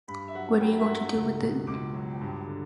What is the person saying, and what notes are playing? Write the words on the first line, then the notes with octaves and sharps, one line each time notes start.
What are you going to do with it?
G2 B5
E5
F#3 F#5
F#3 G5
F#5
E5
G2 F#5
C#2
B2
C#2 D6
F#3
G2
D3